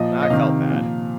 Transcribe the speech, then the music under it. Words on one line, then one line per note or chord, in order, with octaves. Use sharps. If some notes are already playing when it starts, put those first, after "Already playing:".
Then I felt bad.
Already playing: A#2 F3 D#5
D#5
C3 D#3 F5
A#2 F3